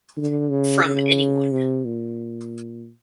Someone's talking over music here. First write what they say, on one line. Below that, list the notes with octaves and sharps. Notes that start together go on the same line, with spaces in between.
From anyone.
D3
C#3
C#3
C3
A#2